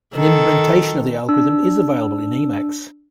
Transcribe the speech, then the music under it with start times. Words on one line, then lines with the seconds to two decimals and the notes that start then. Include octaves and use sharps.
An implementation of the algorithm is available in Emacs.
0.15 D#3 A4
1.29 D4 E6